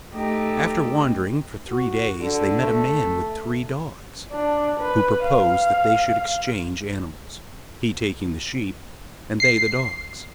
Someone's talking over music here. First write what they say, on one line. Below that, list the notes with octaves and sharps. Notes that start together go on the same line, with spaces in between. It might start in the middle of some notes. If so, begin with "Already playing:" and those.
After wandering for three days they met a man with three dogs who proposed that they should exchange animals, he taking the sheep, and they the dogs.
A3 D#4 G4
F#4
D3
A3
D4
B4
F5
C7